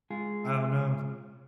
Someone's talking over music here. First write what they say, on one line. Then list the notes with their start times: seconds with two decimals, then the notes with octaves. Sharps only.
Oh no.
0.10 G#3 F4 G#4